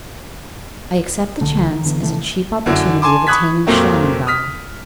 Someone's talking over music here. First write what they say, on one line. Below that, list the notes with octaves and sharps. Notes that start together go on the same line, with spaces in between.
I accept the chance as a cheap opportunity of attaining Schlangenbad.'
B1 D3 A3
D#3
D3 E3 B3
C3 D#3 E3 A3
F#2 D3 E4 F#5
G#5 A5 C6 D6
B5 C#6 D#6 F#6 G#6 B6
F2 A#2 F#3 A3 A#3 C4
D#6 F6 B6